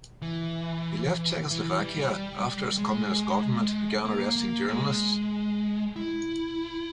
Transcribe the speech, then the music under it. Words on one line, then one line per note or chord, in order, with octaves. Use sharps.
He left Czechoslovakia after its Communist government began arresting journalists.
E3
E3
G3
G#3
A#3
A#3
G#3
E4